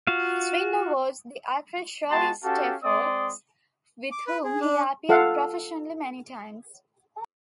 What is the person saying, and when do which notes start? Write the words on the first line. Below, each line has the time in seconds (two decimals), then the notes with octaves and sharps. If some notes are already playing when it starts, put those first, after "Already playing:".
His widow was the actress Shirley Stelfox, with whom he appeared professionally many times.
0.07 F4 F#4 F5
2.10 G#3 B3 F#4 G5 A5 C6
2.43 C#4 F#4 G4 A4 F5 A5
2.83 G#3 C4 D5 C6 D#6
4.12 D6
4.27 B4
4.44 G#4
4.61 D4
5.09 F4 A4 F5 F#5